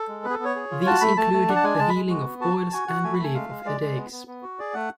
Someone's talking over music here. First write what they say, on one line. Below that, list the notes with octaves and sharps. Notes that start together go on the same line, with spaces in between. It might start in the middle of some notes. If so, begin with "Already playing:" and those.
These included the healing of boils and relief of headaches.
Already playing: A4
G#3
B3 B4
G#4
A4
B3
C#5
G#4
F4
F#4 A5
A3 B5
A3 A5
A3
D4 F#5
A5
G#3 G#5
G#3 A5
G#3 B5
F#4
B3
F#4 A5
F#4
F#4 G#5
F#4 F#5
A3 G#5
B5
A3
G#5
G#3 F5
G#3
G#3 D5
G#3
B3
B3
B3
F#4
G#4 D5
A3 F#5